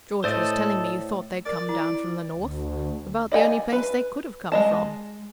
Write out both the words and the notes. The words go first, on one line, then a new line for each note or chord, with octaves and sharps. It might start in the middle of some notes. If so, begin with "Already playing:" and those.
George was telling me you thought they'd come down from the north; about the only place they could have come from.
A2 A4 C5 D5 D#5
A#4 D5
E4
D2
D5 D#5 G5 G#5
B4
G#3 D#5 A5